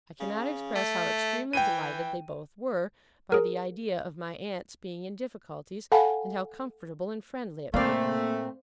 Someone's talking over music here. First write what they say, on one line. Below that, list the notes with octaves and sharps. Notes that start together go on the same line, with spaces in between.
I cannot express how extremely delighted they both were, by the idea of my aunt's being in difficulties; and how comfortable and friendly it made them.
C#3
A3
E3 G5 D#7
G#4 A#4
A4 F5 F#5 G#5 A5 B5
A#2 A3 A#3 C4 C5 D5 F5